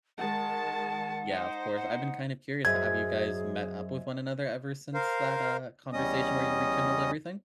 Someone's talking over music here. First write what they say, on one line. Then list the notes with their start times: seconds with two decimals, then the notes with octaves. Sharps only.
Yeah. Of course. I've been kinda curious. Have you guys met up with one another ever since that, uh, conversation where you rekindled everything?
0.18 D#3 G#3 F#5 A5
1.31 D#4 C5
1.76 F#5
2.65 F#2 G#4 C5 D#5 E5 G#6
4.94 A#4 C5 F5
5.93 E2 G3 C#4 D#5 D#6